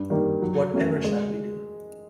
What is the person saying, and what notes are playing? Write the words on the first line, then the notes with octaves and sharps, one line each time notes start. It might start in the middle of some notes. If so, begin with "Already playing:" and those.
What ever shall we do?
Already playing: G2
D#3 G3 A#3
F#3
A3 C#4 F#4 A#4
G#3